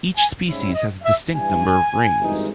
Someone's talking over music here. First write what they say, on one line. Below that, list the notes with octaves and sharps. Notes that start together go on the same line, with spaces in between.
Each species has a distinct number of rings.
G#5
G#2 G3 C#4 E4
D#5
E5
G2 E3 G3 G#5
G#1 G2 E3 G#3 D#4